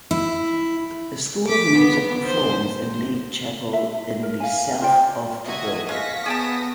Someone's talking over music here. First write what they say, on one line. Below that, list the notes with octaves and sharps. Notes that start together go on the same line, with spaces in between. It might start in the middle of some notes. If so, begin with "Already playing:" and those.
The School of Music performs in Lee Chapel in the south of the building.
E4
D6 B6
B3
C5 C6
E5
A#4
F5 G#5
F4 C5 D5 G5
F#4 D#5 E5 G#6
G#3 F5 C#6 A#6 B6
B3 G#4 G5 A5 D#6